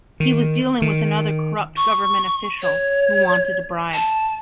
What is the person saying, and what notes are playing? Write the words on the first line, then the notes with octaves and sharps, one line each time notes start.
He was dealing with another corrupt government official who wanted a bribe.
D#3
D#3
C#6
C#5
A5